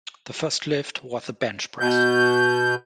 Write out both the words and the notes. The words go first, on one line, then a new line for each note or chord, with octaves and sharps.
The first lift was the Bench Press.
B2 G6